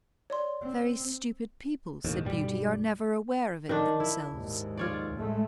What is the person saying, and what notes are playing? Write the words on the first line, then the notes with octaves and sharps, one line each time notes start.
"Very stupid people," said Beauty, "are never aware of it themselves."
C#5 D5 C6
C4
E1 A1 D#2
B1 G2 G3
D#3 D4
E4
D#2 G#2
F4 C#5 D5
A1 G#3 A3